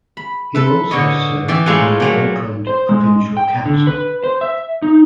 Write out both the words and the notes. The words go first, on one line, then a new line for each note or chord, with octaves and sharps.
He also served on the Auckland Provincial Council.
B5
A4 B4 E5
D3 C#5 D#5
E3 D5 E5 G5
A2 G#3 F4 A4 F#5 G#5
A#2 F#3 A3
C5
G#3
G5
D3
B4
C5
E5
D#4